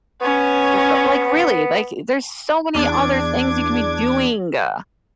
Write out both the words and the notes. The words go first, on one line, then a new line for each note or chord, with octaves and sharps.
R uh like, really like, there's so many other things you could be doing, uh.
B3 C#4 C#5
E2 D4 D6 G#6